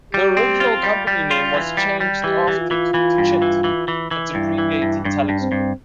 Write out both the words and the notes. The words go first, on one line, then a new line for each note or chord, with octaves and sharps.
The original company name was changed after to "Techint", its abbreviated telex code.
G3 G4
C4
F4
G3
G3
F4
E3
G3
G3
E3 G4
E3
F4
E3
E3
G2
E3
E3
E3
E3
G2 E4
E3
G2
G2 D4
G2
C4
G2